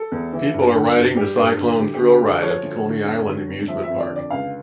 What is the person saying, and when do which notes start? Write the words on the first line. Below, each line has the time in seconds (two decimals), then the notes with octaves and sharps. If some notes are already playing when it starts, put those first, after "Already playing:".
People are riding the Cyclone thrill ride at the Coney Island amusement park.
Already playing: A4
0.12 E2
0.33 E3
0.53 G2
0.75 D3
0.96 G2
1.16 G3 G4
1.38 G2
1.58 D3
1.79 D2 G4
1.95 G4
2.01 D3
2.11 G4
2.21 D2 G4
2.43 F3 C#5
2.63 D2
2.84 D3
3.05 F2
3.27 D3
3.47 F2
3.68 F3 E5
3.83 E5
3.89 F2
4.00 D5
4.09 D3
4.16 D5
4.30 C#2 F5